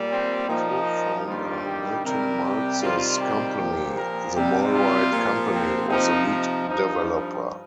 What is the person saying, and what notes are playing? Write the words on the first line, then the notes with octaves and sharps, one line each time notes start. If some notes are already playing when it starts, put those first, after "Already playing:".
Co-founder Milton Maltz's company, The Malrite Company, was the lead developer.
Already playing: A#2 G3
C4
A#2 F3 D#4
G2 D#3 G3 F4
G4
C3 G3 A#4
G4
C3 D#3 G3 F4
G4
A#2 F3
A#4
C3 G3 G4
F4
A#2 F3
C4
C3 F3 D#4
D#4
G2 F3 D#4